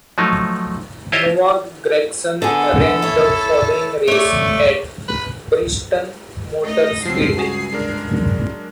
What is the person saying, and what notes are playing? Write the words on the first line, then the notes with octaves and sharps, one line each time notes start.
Noah Gragson ran the following race at Bristol Motor Speedway.
F3 F#3 A3 D#4
E4 F4 G4 C5 C#5 D#5
D3 B3 G#4 A4
E4 C#5
A3 C#5 D5
B4
A3 D#4 D#5
C#2 G2 F3 F#3 C4 C7
F#4 G#4 G#5
G#3 D4 A#4
F#3